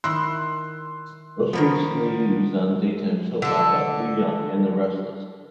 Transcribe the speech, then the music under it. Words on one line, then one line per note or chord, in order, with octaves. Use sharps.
Most recently used on daytime soap opera "The Young and the Restless".
D#3 E4 C6 E6 F#6
D#3 F3 A#3 B3
D3 A4